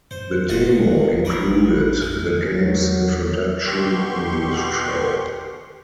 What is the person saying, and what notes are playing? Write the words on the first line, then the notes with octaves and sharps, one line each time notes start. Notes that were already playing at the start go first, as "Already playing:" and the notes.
The demo included the game's introduction in the shell.
F#2 C5
E1 F4 F#4 D#5
A1 A#4 B4
F2 G#3
E2 F#3
B2 G4 C6 C#6